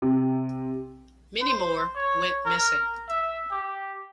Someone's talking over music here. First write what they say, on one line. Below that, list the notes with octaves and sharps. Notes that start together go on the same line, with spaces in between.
Many more went missing.
C3
C5
C#5
A#4
E5
G4